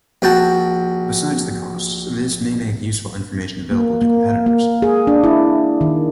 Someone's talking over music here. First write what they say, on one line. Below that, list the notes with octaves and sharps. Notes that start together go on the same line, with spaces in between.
Besides the cost, this may make useful information available to competitors.
A#1 F#4 G5 A5
A#3
A#3
A#3
G#4
D4
E4
D#3